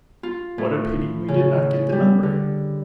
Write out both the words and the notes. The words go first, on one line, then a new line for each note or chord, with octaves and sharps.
"What a pity we did not get the number!"
F4
A2
C#3
G3
D3